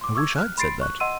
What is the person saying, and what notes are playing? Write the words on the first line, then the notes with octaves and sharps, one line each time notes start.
"I wish I'd said that."
C6 D6
C#6 D6 E6 G#6
F6 F#6
B5 C6 A6 C7 D7
C#6 F#6
D#5 F#5 C6 E6 D#7